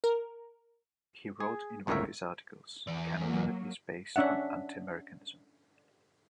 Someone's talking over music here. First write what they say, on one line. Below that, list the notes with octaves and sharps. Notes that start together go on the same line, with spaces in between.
He wrote in one of his articles: Canada is based on anti-Americanism.
A#4
G#4
G1 C#2 A2 A#4 C#5 E5
E2 D5
F#3 A#3
C#4 D4 E5 F#5